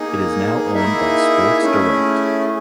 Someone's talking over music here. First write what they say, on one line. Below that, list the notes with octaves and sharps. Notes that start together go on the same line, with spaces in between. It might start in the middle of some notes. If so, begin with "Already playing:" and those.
It is now owned by Sports Direct.
Already playing: A#3 D#4 G#4
A#3 D#4 E4 G#4 E5
A3 C#4 E4 G#4